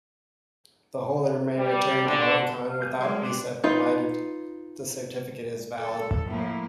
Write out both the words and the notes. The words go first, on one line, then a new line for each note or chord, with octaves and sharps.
The holder may return to Hong Kong without visa, provided the Certificate is valid.
G3
D3
F5
G3 G#4 G6
F#3 G#3 C6
B3 D4 G4 C5
D#4 F4 B4
A4
A2 F3 A#3 E4